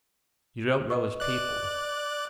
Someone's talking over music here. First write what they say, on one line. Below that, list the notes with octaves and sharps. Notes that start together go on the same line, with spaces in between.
You don't know his people.
B4 D#5 C#6
D5 F#6